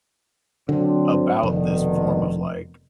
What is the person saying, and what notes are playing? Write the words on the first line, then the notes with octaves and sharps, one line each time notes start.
about this form of, like
D3 F#3 C4 D4
F1 B2 D3 D#3